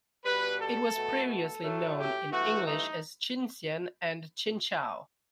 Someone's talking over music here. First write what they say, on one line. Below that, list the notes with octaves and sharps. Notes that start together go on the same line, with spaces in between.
It was previously known in English as Chinhsien and Chinchow.
B2 G3 B4
A4
B2 A3
A4
A2 F#3 A3
G4
G2 E3 A3 F#4
D#4